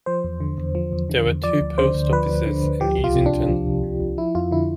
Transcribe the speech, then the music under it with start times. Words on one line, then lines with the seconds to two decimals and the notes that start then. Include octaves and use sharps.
There were two post Offices in Easington.
0.06 F3 C5
0.24 E2
0.40 D3
0.58 E2
0.75 F3
0.92 E2
1.09 D3
1.27 E2
1.44 F3 D5
1.61 D2
1.78 D3 C5
1.95 D2
2.12 F3 B4
2.29 D2
2.46 D3
2.64 D2
2.81 F3 G4
2.98 C2
3.04 F4
3.15 C3
3.26 D4
3.32 C2
3.49 F3
3.67 C2
3.83 C3
4.00 C2
4.18 F3 E4
4.35 F2 F4
4.51 D3 E4